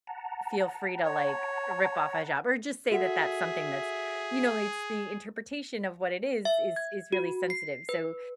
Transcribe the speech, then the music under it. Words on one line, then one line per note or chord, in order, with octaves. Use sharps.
feel free to, like, rip off a hijab or just say that that's something that's you know, it's the interpretation of what it is, is is really sensitive. So
F#5 A5 A#5
C#5
F#4 G#4 A4 E5 F#5
E5
G#6
F#4
C7
B4